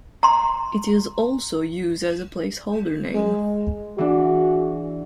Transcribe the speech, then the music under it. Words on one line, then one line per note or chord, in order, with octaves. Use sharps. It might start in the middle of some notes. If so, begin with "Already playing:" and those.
It is also used as a placeholder name.
A#5 C6
G#3
E3 D4 F#4 G#4